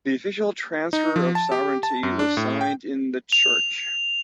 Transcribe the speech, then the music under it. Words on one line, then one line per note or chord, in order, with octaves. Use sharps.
The official transfer of sovereignty was signed in the church.
D#4
F3
A5
G4
A5
F#2
D4
A2
G5
F7